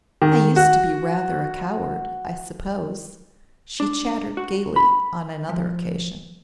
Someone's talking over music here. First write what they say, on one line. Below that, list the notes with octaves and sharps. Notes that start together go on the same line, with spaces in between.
"I used to be rather a coward, I suppose," she chattered gaily on another occasion.
D#3
F#4
D4
F#4
B5
F3